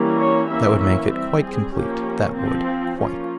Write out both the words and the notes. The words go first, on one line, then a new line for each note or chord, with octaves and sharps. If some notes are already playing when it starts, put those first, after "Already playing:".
That would make it quite complete, that would: quite.'
Already playing: E3 G3 A#3 C#4
C#5
E3 A#3 C#4 E5
E5
G3 C4 E5
G#4
F3 A#3 C#4 G4
F3 C4
F3 A#3 C#4 F4